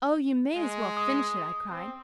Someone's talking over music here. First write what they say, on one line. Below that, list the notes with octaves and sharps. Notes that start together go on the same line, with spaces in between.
"Oh, you may as well finish it!" I cried.
G#3
D#6
C4